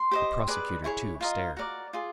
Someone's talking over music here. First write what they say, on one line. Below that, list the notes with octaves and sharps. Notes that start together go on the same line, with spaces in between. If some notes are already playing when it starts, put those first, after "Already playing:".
The prosecutor, too, stared.
Already playing: C6
G4 C5 D#5
G#4 B4 D5
E4 G#4 C#5 C#6
F4 A#4 D#5
F#4 A#4 D5
F4 G#4